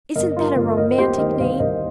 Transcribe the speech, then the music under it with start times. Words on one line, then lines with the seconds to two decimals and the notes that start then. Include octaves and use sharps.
Isn't that a romantic name?
0.16 G1 A#4 D#5
0.36 G2 F4 A#4
0.56 G1 F4 A#4
0.77 D#2 A#4 D#5
0.98 D#2 G4 C5
1.18 D#3 A#4 D#5
1.39 C2 C5 F5
1.60 C2 A#4 D#5